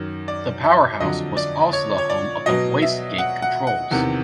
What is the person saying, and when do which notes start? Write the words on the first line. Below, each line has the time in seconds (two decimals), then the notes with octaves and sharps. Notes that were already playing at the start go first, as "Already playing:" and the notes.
The powerhouse was also the home of the waste gate controls.
Already playing: F#2 D#3
0.28 D5
0.64 E5
1.00 F2 D3 F#3 D#5
1.37 D5
1.73 C#5
1.98 C#5
2.10 D5
2.46 B2 F#3 D#5
2.82 E5
3.18 F#5
3.42 F#5
3.67 F#5
3.91 E2 C3 D#3 F#5